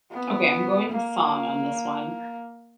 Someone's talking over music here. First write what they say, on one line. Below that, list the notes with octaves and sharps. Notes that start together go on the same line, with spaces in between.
Okay, I'm going song on this one,
B3
A#3